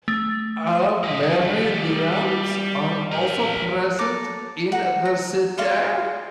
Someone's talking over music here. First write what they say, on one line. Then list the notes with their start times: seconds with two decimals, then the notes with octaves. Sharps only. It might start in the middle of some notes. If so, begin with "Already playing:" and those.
Amerindians are also present in the city.
0.08 A3
1.04 G3 D#5
3.12 A#4 C5
3.99 A4 A#5 D6
4.72 F#5 A#5
5.05 A#5
5.58 D5 F5 C6 C#6